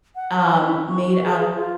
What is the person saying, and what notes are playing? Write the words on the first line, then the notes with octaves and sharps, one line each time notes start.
Um, made out
F#5
C#6
E4
C#6
F#4
G#4
G#4
F4